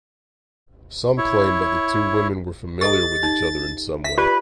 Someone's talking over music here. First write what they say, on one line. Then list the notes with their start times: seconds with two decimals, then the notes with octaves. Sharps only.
Some claim that the two women were familiar with each other in some way.
1.18 E4 C#5
2.81 G4 A4 D#5 A6
3.23 D#4
4.04 E5 B6
4.18 F4 G4 B4 D5